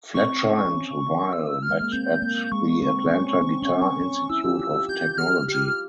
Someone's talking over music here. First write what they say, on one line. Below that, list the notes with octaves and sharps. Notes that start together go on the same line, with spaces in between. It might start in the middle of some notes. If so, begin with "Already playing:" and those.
Fletcher and Weil met at the Atlanta Guitar Institute of Technology.
C4 C#6
C#4
C#4
C4
E6
F6
G#3
A#3
C4 G6
A#3
G#3 C#6
C4
C4
C#4
C4
C#4
C4
C#4
E4 E6
G4
F4
G4
G4 G6
G4 F6
G4 F6
F4